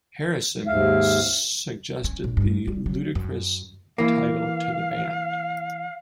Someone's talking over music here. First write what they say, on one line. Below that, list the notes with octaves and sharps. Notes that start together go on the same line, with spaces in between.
Harrison suggested the "ludicrous" title to the band.
D#2 G#2 E5 F5
C#4
A#1
G2
G3
F#3
F#2
E3 A#3 F5